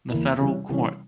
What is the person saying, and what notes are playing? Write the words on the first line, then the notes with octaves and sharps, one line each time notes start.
The federal court.
E2 E3 A#3 E4
C3 E3 G3 C#4
C3 E3 G3 C#4